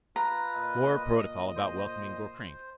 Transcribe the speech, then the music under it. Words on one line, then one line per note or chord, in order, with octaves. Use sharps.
More protocol about welcoming Gorkrink.
F4 B4 A#5
A#2 D#5
C5